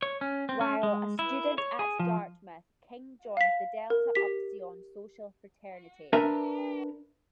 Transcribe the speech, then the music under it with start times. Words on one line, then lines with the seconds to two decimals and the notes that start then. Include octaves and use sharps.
While a student at Dartmouth, King joined the Delta Upsilon social fraternity.
0.02 C#5
0.21 C#4
0.49 C4
0.61 C#4
0.83 G#3
1.19 E4
1.58 C#5
1.79 G#4
1.99 F3
3.37 F5 B6
3.90 A#4
4.15 G4 B6
6.13 D4 A#4 B4 E5